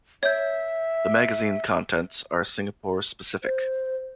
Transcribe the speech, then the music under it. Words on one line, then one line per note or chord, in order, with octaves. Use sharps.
The magazine contents are Singapore-specific.
C#5 E5 G6
C5